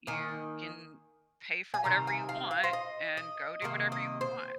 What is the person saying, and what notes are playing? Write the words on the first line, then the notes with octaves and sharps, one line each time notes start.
you can pay for whatever you want and go do whatever you want.
D#3 A#3 G#5
G#5
C3 D#3 C4 A#5
G#5
F5
F5
C5
D#5
D#5
C3 D#3 A#3
D#5
C5